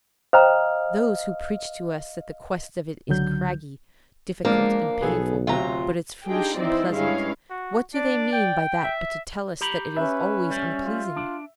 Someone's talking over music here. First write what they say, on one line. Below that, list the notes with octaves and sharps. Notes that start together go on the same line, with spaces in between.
Those who preach to us that the quest of it is craggy, difficult, and painful, but its fruition pleasant, what do they mean by that but to tell us that it is always unpleasing?
C5 D#5 F5 G5 A#5 F6
C#2 D3 F#3 G6
F3 G#3 A#3 D4 F6
B1 B3 G#4 A4
D2 C3 F#3 F4 A#5
D4 D#4 F4 G4 G#4 G5
E3 C4 D#4 E4 C5 D5
G2 G#3 C#4 E4 C#5 F5
F#4
D4 D5
G5
E5
G4 A#5 B5
C#4 B4 E5
G3
F4
D4